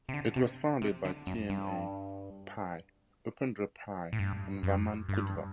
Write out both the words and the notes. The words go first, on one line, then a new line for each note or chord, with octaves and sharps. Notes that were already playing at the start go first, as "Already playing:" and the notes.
It was founded by T M A Pai, Upendra Pai and Vaman Kudva.
C3
D3
C3
C3
D3
F#2
G2
A2
G2
F#2
G2